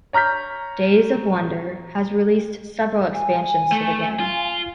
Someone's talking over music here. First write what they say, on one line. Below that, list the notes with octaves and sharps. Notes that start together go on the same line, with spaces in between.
Days of Wonder has released several expansions to the game.
C#5 A#5 F6 G6 B6
G#5
A3
F4